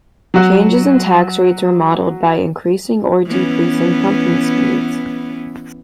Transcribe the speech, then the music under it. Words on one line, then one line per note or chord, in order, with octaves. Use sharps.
Changes in tax rates were modeled by increasing or decreasing pumping speeds.
F#3 F#4
E3 B3 C#4